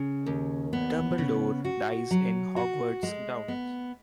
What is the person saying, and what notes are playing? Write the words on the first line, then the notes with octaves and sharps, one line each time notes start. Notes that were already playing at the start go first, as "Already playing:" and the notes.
Dumbledore dies in Hogwarts' grounds.
Already playing: C#3
D#2
B3
C#3
F#4
F#3
F#4
G#3
B3